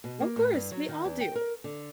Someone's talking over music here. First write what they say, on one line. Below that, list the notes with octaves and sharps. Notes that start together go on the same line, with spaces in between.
O of course, we all do.
B2
A#3
A2
G2
F#3
D#3
E2
G5
A#4
D3